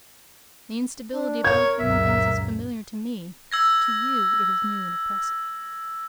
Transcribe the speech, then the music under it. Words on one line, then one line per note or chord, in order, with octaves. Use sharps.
The instability of all human things is familiar to me, to you it is new and oppressive.'
D4
A#4 C#5 G#6
C#2 F#2 A#2 E5
E6 G#6 A#6